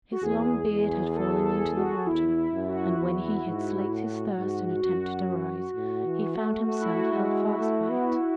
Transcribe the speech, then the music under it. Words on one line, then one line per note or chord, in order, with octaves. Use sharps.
His long beard had fallen into the water, and when he had slaked his thirst and attempted to rise, he found himself held fast by it.
F#4
E2 G#4
E2
A4
A4
F#4
E2 E4
E4
F#2
F#4
E2
G#2
A2
G#2
F#2 F#4
A2
E3
A3
A3 F#4
E4
F#4
G#3
A3
B3